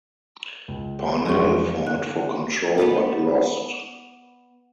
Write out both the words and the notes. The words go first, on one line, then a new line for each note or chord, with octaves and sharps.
Parnell fought for control, but lost.
C#2
F2 E3 G#3 G#4 C6 C#6
D3 A#3 F#6
B3 B4 D5